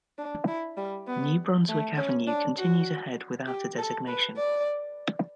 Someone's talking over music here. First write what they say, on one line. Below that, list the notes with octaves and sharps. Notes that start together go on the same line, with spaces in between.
New Brunswick Avenue continues ahead without a designation.
D4
E4
G3
B3
A3
C#4
D4
F#4
G4
A4
B4
D5